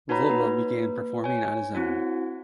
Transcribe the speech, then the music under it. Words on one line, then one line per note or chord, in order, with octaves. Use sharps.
Vova began performing on his own.
D#4 F#4 B4 C#5 A#5 B5
A#3 B4
C#5 G#5
C4 E4 F#4